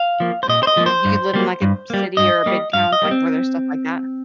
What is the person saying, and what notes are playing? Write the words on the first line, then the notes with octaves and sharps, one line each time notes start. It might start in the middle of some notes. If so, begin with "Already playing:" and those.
Do, uh do you live in, like, a b city or a big towns, like, where there's stuff like that?
Already playing: F5
F3 A#3
C5
A#2 D#5
C5
D#5
F3 A#3
C5
G2
G3 A#3
G2
G3 A#3
G2 D#5
G3 A#3
G2 F5
D#5
G3 A#3
C4